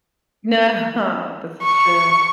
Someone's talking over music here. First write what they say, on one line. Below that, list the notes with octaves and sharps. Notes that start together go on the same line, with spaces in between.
No. This is true.
C#6